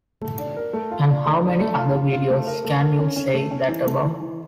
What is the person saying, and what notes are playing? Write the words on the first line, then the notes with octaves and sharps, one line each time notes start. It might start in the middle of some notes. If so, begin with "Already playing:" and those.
And how many other videos can you say that about?
A3
D4
A#4
A3
F4
D4
A3
D4
A3
F4
F4
F4
A3
A#4
A3
A#4
C#4
C#4
A3
C#4
E3
A3
E3
E3